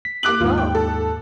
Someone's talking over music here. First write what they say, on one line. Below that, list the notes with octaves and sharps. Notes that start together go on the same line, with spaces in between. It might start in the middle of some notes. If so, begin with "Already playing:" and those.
And lo!
B6
D6 F#6 F#7
D#2 G#2 F4
G5
A4